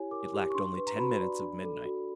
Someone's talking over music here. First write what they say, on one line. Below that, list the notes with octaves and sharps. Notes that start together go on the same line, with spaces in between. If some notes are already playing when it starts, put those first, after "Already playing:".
It lacked only ten minutes of midnight.
Already playing: E4 G4 C#5 G#5
A#4 D6
G4
C#6
D4 C6
B4
A#5
F#4 B5
D5
D4
A4
F#4